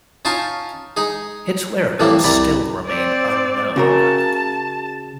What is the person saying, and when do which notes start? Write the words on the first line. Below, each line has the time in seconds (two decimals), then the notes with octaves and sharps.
Its whereabouts still remain unknown.
0.25 C#4 D#4 F4 F5 G#5 A5
0.97 G#3 D#4 G#4
2.00 F2 A2 E3 F3 G3 A#3
2.24 C2 C3 D5 B5
2.86 C4 D5
3.76 C#3 F#4 A#4 A5